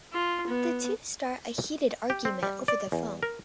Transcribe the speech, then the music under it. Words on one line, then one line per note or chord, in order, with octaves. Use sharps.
The two start a heated argument over the phone.
F4
B3
G4
C4
G3
D5
E2
A#4